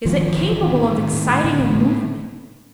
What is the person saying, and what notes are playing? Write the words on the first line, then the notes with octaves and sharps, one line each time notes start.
Is it capable of exciting a movement?
A1 D#3 F3
A1
A1
A1 D#3
A1 E3
D#3
A2
A2
A2
A2
A2 D3
A1
A2